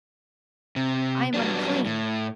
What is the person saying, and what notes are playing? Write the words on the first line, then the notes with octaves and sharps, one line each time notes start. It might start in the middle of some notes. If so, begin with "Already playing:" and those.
I am unclean!
C3
F#3 G3 B3 D4
A2